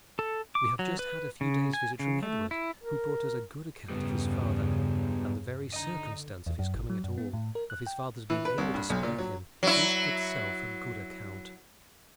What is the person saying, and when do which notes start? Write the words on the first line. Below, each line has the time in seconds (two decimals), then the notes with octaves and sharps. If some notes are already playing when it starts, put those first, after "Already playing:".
We have just had a few days' visit from Edward, who brought us a good account of his father, and the very circumstance of his coming at all, of his father's being able to spare him, is itself a good account.
0.19 A4
0.55 D6
0.79 F#3
0.99 B4
1.41 C#3
1.73 G#5
1.99 C#3
2.23 A3
2.51 E4
2.84 A#4
3.90 E2 G2 C#3 G3 B3
5.73 D3 D#5 A#5
6.46 E2
6.59 F#2
6.74 G#1
6.90 F#3
7.04 F#2
7.18 B3
7.33 A2
7.55 A#4
7.70 F#6
7.87 G5
8.30 E3
8.45 B4
8.58 C2
8.74 G2
8.90 B1
9.03 A#2
9.18 F#3
9.63 F#3 E4